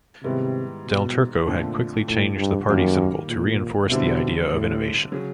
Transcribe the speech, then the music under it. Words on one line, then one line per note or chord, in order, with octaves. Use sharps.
Del Turco had quickly changed the party symbol to reinforce the idea of innovation.
G#2 C3 D#3 G3 B3 E4
B2
F2 A#2 D3 F3 A3 D4
A2
G2
F#2 D#3 G3 A#3
A#2
B2 D3 G3 C4 E4
A2
C#3 F#3